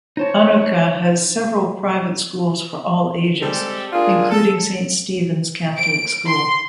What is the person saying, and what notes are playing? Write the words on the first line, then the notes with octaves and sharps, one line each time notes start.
Anoka has several private schools for all ages, including Saint Stephens Catholic School.
D#4 C5 C#5 A5
G3 G#3 C4 G4 A4
A#3 D4 F4 G#4
A4
D7
C6